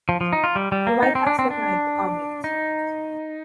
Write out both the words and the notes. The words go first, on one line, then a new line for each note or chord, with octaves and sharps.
The White House declined to comment.
F3
F3
D#4
F4
G3
G3
A#3
D#4
C4
D4
C4
D4
D#4